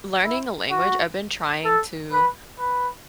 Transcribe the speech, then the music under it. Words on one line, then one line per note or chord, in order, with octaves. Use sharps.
learning a language, I've been trying to
E4
F#4
A4
B4
B4